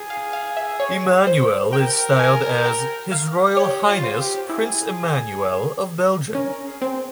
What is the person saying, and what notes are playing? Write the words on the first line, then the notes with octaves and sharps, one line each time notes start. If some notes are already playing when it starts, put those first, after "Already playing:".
Emmanuel is styled as "His Royal Highness Prince Emmanuel of Belgium".
Already playing: G#4
F5
F5
E5
C#5
C5
A#4 G5
G#5
G5
F5
G4 C#5
F4
C5
G4
E4 G#4
C#4 A#4
G#4
C4